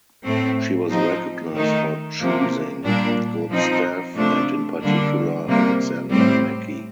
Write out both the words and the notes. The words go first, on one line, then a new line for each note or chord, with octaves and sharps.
She was recognised for choosing good staff and in particular Alexander Mackie.
A2 A3 C4
F3 C4 D#4
D#3 A3 D#4
C3 F3 A#3
A#2 G3 D4
F3 C4 D#4
C3 F3 A3 D4
D3 G3 A#3 D4
C3 G3 A#3
A2 G3 C4